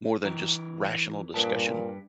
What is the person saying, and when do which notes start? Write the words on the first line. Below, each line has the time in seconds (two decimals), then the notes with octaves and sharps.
more than just rational discussion,
0.25 E3 A#4
1.34 G2 A#2 B4 A5